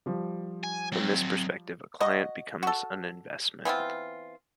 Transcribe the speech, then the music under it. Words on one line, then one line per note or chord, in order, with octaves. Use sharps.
From this perspective, a client becomes an investment.
F3 G3
G#5
F#3 C4
F#4 D#5
F#4 A4
E3 B3 C4 F4